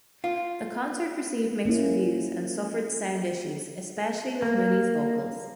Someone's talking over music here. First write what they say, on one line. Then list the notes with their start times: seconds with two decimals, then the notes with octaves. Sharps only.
The concert received mixed reviews and suffered sound issues, especially with Mooney's vocals.
0.24 F4
1.65 A#3 C#4 E4
4.42 A#3